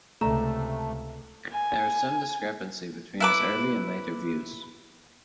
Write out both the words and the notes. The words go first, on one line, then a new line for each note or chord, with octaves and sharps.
There is some discrepancy between his early and later views.
C#2 C3 A3 A4 D5 A#5
G#5
E4 B4 D6